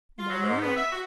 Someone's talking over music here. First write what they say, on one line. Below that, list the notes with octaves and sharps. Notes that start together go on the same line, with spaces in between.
No, no.
F4
F#3
G#2
B3
E5
F#4